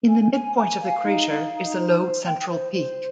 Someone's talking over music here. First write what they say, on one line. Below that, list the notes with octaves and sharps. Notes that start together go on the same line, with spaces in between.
In the midpoint of the crater is a low central peak.
G#5
G#5
G#5
F5
D#4
F5
D#4
C5
C5
G5
C5
C5